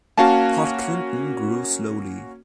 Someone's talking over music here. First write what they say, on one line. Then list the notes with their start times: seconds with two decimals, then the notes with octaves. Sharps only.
Port Clinton grew slowly.
0.17 A#3 C#4 F#4 F5 A5